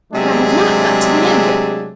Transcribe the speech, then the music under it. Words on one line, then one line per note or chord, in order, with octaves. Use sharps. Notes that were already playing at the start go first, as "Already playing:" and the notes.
But I have not got to the end yet.
C3 F#3 G#3 A3 D4 G#4